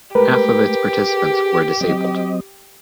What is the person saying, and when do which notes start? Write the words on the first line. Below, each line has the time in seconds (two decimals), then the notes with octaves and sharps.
Half of its participants were disabled.
0.15 G#3 A3 G4 A#4 B4
1.10 G#4
1.81 F#3 C4 D#5